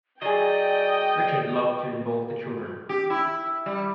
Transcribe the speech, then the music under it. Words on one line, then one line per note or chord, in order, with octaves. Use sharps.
Richard loved to involve the children.
F#3 G#4 D5 D#5 G5
G4
E4
G3